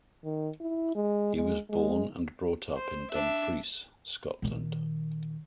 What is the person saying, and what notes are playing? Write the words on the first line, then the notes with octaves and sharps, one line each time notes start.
He was born and brought up in Dumfries, Scotland.
D#3
E4
G#3
G#3
G#3
C5
D4 E5
A#2 D#3